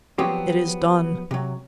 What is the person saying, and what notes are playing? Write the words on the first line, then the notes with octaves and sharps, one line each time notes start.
It is done.
F3 F#3 B3 C4 G4
C3 F#3